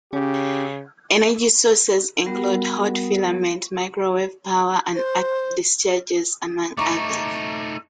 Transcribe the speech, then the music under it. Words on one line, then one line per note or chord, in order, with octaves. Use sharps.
Energy sources include hot filament, microwave power, and arc discharges, among others.
C#3 C#4 G4
G3 B3 F#4 A#4 F#5
C5
A3 D#4 A#5 C#6 D6